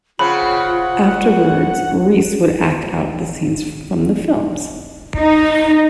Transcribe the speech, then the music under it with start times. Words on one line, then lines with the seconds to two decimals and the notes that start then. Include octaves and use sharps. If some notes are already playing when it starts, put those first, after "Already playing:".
Afterwards, Reese would act out the scenes from the films.
0.19 C#3 C4 F4 F#5 B5
5.16 D#4